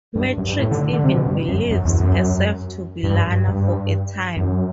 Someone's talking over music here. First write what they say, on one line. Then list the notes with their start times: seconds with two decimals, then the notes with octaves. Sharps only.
Matrix even believes herself to "be" Lana for a time.
0.16 G2
0.38 F#2
0.49 G2
0.60 A2
0.71 D3
0.93 D3
1.04 C3
1.15 B2
1.26 G2
1.48 F#2
1.71 F#2
1.85 E2
2.00 F#2
3.03 G2
3.48 G2
4.37 F#2